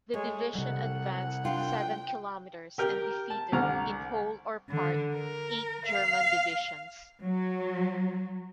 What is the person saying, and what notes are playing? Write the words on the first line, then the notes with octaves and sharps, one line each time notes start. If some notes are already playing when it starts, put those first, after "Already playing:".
The division advanced seven kilometers and defeated, in whole or part, eight German divisions.
G#3 A3 C#5
C3 G3 F#5
D4 F4 G5
G4 A#4 G5
A5
C2 D3 A#5 F6
D3
A#4
F5
F#3